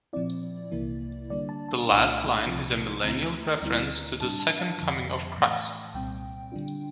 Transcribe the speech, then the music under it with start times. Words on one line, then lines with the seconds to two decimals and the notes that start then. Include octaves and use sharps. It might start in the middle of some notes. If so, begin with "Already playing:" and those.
The last line is a millennial reference to the second coming of Christ.
0.13 A#2 F3 C4 E4 D5
0.71 C2 C3 E3 A#3 E4
1.30 D3 G3 A#3 D4 D5
1.49 A5
1.69 A5
1.87 C2 A#2 A3 D4
2.46 C2 C3 F3 C4 F4
3.04 D2 D3 A3 C4 E4 A#5
3.62 D2 D3 G3 C4 E4
4.21 A2 G3 D4 A5
4.40 A5
4.59 F5
4.78 F2 D3 F3 A5
5.37 A2 E3 A3
5.94 C2 A#2 G3 C4 G5
6.52 D3 G3 D4 F4